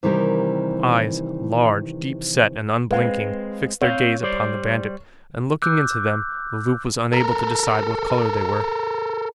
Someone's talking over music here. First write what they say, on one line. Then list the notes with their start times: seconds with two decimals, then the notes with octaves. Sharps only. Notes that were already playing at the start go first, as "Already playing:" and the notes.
Eyes, large, deep-set and unblinking, fixed their gaze upon the bandit, and looking into them, Le Loup was unable to decide what color they were.
0.03 C3 D#3 E3 G3 G4 A#4
2.91 G#3 C4 B4 F5
3.81 C4 C#5 F5
4.23 G3 C5 D5
5.62 D6 E6 F#6 G6
7.13 A4 A#4